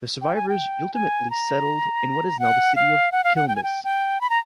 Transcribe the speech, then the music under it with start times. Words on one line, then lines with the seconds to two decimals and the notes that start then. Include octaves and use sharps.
The survivors ultimately settled in what is now the city of Quilmes.
0.21 G5
0.35 G#5
0.49 G5
0.94 G#5
1.30 A#5
2.39 F#5
2.76 F5
3.12 F#5
3.24 F5
3.36 F#5
3.48 G5
3.56 G#5
3.63 G5
3.84 G5
4.21 B5
4.30 A#5